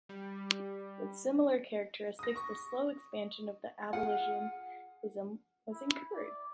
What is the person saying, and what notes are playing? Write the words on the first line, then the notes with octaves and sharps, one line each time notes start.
With similar characteristics, the slow expansion of the abolitionism was encouraged.
G3
D#6 A#6
C#6
F4 G#4 F#5
E4
D5